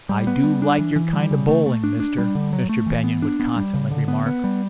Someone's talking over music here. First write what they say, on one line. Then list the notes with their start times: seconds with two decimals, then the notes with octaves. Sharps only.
"I do like your kind of bowling, mister," Mr. Benyon would constantly remark.
0.09 G3
0.27 B3
0.44 G3
0.62 D4
0.79 E3
0.96 E3
1.13 G3
1.31 C#3
1.48 A3
1.66 A3
1.84 D4
2.00 D4
2.18 G3
2.35 D3
2.53 F#3
2.69 A3
2.86 E3
3.04 B3
3.22 D4
3.40 B3
3.56 G3
3.74 C#3
3.91 D3
4.08 B3
4.26 B3
4.44 G3